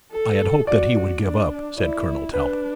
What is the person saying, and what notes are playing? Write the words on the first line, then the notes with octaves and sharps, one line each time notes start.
"I had hoped that he would give up," said Colonel Talbot.
A4
F#4 D5
D4
E4 D5
D4 B4